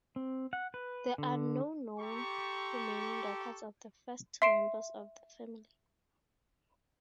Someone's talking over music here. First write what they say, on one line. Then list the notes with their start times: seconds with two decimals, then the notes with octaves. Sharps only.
There are no known remaining records of the first two members of the family.
0.16 C4
0.53 F#5
0.74 B4
1.18 D3
2.00 G4 A4 A#5 C6 C#6
4.42 E5 C6 C7 D7 E7